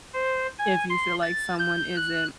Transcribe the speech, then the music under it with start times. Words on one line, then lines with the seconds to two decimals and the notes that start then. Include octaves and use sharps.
if you feel like someone isn't
0.14 C5
0.59 G#5
0.89 C6
1.22 A6
1.59 G6
1.96 F#6